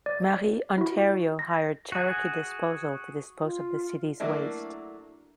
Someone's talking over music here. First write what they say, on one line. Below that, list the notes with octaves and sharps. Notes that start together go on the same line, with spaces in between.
Marie, Ontario hired Cherokee Disposal to dispose of the city's waste.
D5
E4 F#4
A#6
F#4 G#4
F4
F#3 A3 A#3 D4 E4